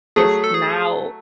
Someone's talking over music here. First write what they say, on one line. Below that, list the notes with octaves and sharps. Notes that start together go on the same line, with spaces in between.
it's now
F#3 A3 G#4
A4
G#4